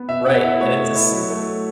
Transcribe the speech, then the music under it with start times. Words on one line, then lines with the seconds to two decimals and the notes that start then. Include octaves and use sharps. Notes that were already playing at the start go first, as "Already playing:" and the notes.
Right, and it's a ci
Already playing: B3
0.08 B2 E5
0.26 B2 F#5
0.43 E4 E5
0.60 A3 C#5
0.78 B2
0.95 E4
1.12 F#3
1.30 A3